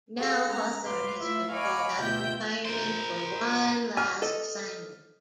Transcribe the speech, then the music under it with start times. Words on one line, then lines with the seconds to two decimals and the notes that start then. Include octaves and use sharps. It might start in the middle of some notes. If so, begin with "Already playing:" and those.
Now Hawthorne has been called out of retirement for one last assignment.
0.17 F#4 G#4 A4 F5
0.50 G#3 C#4 A#5
0.83 B4 F5 C6 D6
1.21 A3 E4 F4 E5
1.52 C#5 D#5 F5 G#5 B5 D6
2.01 D2 B2 F4 E5 G5 G6
2.65 A#4 C5
3.97 G#5 F6
4.22 A4 D#5